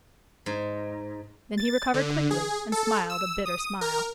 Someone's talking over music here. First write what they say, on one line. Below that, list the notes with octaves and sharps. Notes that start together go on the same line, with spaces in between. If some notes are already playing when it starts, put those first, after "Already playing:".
Then he recovered quickly and smiled a bitter smile.
G#2
A6
D3
G#4
A4
E6
D#6
A#4